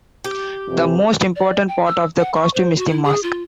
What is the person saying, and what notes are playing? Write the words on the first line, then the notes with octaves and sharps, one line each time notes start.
The most important part of the costume is the mask.
G4
F2 C3 E3
D5
G5
E6
F#5
C#6
C5
F#4
E4
G#4
F4